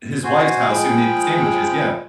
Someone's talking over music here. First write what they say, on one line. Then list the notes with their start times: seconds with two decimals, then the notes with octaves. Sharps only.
His wife's house who made the sandwiches, yeah.
0.24 F#4 C5 G#5
0.68 F3 G#3 G5 B5